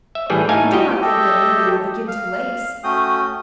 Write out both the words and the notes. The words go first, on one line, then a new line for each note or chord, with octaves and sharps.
"You do not think that Milly will begin to lace?"
E5
A2 E3 G3 G#4
A2 A3 D#4 F5 G#5
G3 F#4 G4 D#5 G5
G4 A4 D#5 E5 G5
F5
A3 C#4 F#4 G5 D#6